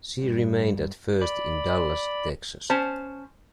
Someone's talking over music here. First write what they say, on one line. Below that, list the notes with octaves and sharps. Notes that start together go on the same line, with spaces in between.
She remained at first in Dallas, Texas.
G2
D5 B5
C#4 C5 A5